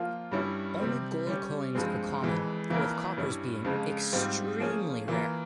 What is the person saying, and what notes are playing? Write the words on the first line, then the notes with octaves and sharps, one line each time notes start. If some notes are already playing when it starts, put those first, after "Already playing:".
Only gold coins are common, with coppers being extremely rare.
Already playing: F3 A#3 F4
G2 G3 C#4 E4
C3 G3 C4
G3 C#4 G4
G2 F3 G#3 C4
F2 E3 G#3
F2 E3 A#3 E4 A#4
G2 G3 C#4 E4
F2 C#3 F3 G#3
G#2 G3 C4 F4
F3 A#3 C#4 F4 G#4
E3 A#3 F4 A#4